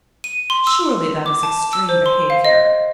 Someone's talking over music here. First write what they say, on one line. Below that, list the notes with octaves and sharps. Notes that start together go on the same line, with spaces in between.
Surely that is extreme behaviour.'
D#7
C6
E6
D6
A5
E6
C5
C6
F5
D#5